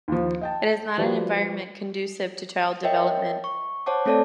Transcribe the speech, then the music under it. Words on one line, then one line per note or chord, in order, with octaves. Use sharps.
It's not an environment conducive to child development.
D#2 F3
D#5 G5 A5
F3 G3 F#4 B4 D5
A#4 C#5 D#5 E5 G5
C#6
C5 C#5 F#5 A5 D6
A3 C4 A4 C#5 D5 A5